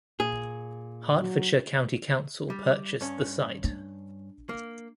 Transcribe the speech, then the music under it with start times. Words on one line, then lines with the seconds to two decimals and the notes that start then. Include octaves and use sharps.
Hertfordshire County Council purchased the site.
0.20 A#2 G#4
1.18 F#3
2.50 G3
3.01 G2 C#4
3.64 D4
4.49 A#3